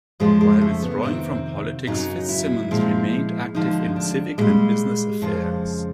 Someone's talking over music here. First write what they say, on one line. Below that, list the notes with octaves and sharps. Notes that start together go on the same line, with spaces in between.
While withdrawing from politics, Fitzsimons remained active in civic and business affairs.
F2 C#3 F3 G#3
G#3
A3
B3
F2 C3 D#3 C4
F#2 C#3 F#3 D#4
E4
A#2 F3 G#3
D2 D3 F3 G#3 D#4
D4
A#2 G3 G#3
F2 C#3 F3